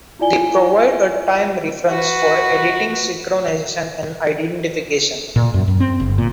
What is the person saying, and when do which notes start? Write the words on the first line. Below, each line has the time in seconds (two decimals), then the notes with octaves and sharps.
They provide a time reference for editing, synchronization and identification.
0.19 E4 F4 D5 G#5 G7
1.88 F#4 B4
5.36 A#2
5.54 F#2
5.68 F#2
5.80 C4
6.00 G1
6.18 A#2